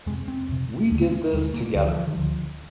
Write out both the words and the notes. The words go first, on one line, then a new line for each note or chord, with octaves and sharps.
We did this together.
F2 C3 G#3
C4
F2 C3
D#2 D3 D4
C4
G#3
D#2 D3 G3
G#3
A#3
A#3
D2 D3 G3
F3
F3
D#3
G3
D2 D3 F3